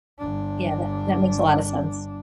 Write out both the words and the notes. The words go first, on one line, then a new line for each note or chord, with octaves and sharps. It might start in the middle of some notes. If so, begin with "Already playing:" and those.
yeah, that that makes a lotta sense.
G1 D4